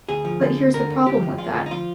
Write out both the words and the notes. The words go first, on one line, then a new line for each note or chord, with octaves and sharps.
But here's the problem with that.
D2 G#4
F3
D3
D2
D3 A#4
D2
D2 G4
F3
G#3 F4
D2
D#4
F3 F4